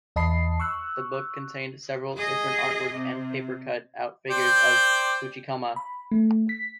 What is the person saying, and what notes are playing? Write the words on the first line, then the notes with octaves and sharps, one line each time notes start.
The book contains several different artwork and paper cut out figures of the Fuchikoma.
E2 D#5 A5 B5 C7
C#6 E6 F#6
G#4 D#5
C3
C5 D5 G5
B5
A3
B6